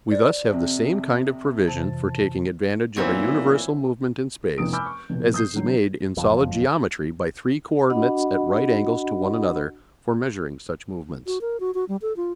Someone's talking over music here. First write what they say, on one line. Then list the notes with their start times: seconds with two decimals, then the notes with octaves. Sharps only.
We thus have the same kind of provision for taking advantage of a universal movement in space as is made in solid geometry by three co-ordinates at right angles to one another for measuring such movements.
0.08 C5 D5
0.51 F2 C3
1.67 F2 C3 E3 A5
2.96 B1 A#2 E3 F#3 C4 C#5
4.58 F1 G2 B3 E4 D#6 D7
4.73 G#5 B5 D6 E6 F6 G6
4.86 C#6
5.10 F1 B2
5.34 D#6 G6 C7
5.54 D3 F#3
6.17 F#1 F2
7.90 D4 F#4 D#5 F#5 B5
11.26 F#4
11.41 A#4
11.60 F#4
11.74 F#4
11.89 G3
12.02 A4
12.16 F4